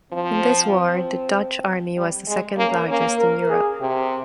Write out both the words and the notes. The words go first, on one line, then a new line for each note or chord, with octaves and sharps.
In this war the Dutch army was the second largest in Europe.
F3 C4
G3
G#3
A#3 C#4
A#3 C#4
A#4
G#4
C3 G4